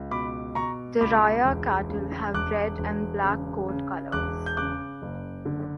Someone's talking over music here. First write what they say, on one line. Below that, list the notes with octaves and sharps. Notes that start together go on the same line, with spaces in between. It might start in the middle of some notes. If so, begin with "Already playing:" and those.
The Raya cattle have red and black coat colours.
Already playing: C#2
B2 B5 D6
B2 A#5 C#6
C#2 B5 D6
E1
C#3
E1 D6 F#6
E1
C#3
C#3
E1 D6 F#6
G6
C#3 D6 F#6
F#1
D3